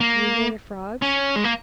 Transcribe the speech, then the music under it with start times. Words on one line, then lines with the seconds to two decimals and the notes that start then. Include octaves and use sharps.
"Do you hear the frogs?"
0.01 A#3
1.02 C#4
1.36 G#3
1.44 A#3